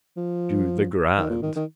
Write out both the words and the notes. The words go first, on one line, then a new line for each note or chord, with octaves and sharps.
Do the grand.
F3
D#3
A#2
D#3
D#3